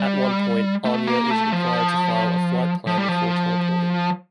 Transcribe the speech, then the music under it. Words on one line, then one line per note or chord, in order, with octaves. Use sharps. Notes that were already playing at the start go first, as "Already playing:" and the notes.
At one point, Anya is required to file a flightplan before teleporting.
Already playing: G3
A3
A#3
A3
F3
F3
G3
F3